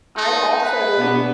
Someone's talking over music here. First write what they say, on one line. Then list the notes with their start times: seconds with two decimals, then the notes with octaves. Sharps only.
I also
0.17 D#4
0.62 B4
0.96 B2 B3 D4